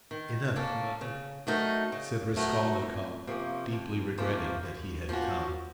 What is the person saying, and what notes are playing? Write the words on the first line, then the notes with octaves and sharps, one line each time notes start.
"Enough, mother," said Raskolnikov, deeply regretting that he had come.
D#3
A#3 C#4 A4
C#3
F#3 A3 D#4 A#4
C#3
F#3 A3 D#4 A#4
F2
C3 F3 A#3 C#4
F2
C3 F3 A#3 C#4
F#2
F3 A#3 C#4 F#4